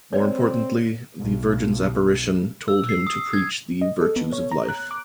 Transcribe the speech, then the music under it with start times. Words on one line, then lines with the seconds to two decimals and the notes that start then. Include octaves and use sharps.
More importantly, the Virgin's apparition told him to preach the virtues of life.
0.13 C4 C#5 D5
1.20 B1
2.68 E6
2.89 C7
3.07 D#6
3.33 G#6
3.81 D#5
4.01 A4
4.16 B3
4.32 C#5
4.51 A#5
4.69 F#6
4.91 D6